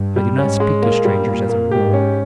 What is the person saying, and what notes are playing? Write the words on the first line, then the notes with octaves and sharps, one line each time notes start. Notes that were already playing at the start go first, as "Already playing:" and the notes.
I do not speak to strangers as a rule.
Already playing: G2
G3
G#2 C#4
G#3
A#2 A#3
G3
A#2 A#3
A#3
G#2 G4
C#4